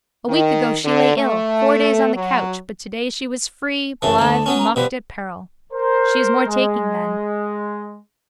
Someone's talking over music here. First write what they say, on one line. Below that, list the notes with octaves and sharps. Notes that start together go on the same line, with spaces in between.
A week ago she lay ill, four days on the couch, but today she was free, blithe, mocked at peril. She is more taking then.
D#3
D3
A3
F#3
F#2 C#3 E3 A5
D2 A3
F#3 B3 C#4
A#5
B2 F3 G3 B4
A#4 C5
G#3